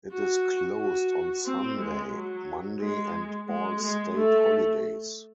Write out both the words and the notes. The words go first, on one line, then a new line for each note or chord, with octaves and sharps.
It is closed on Sunday, Monday and all state holidays.
F#4
F#4
C4
G#3
F#3
G#3
G#3
G#3
A3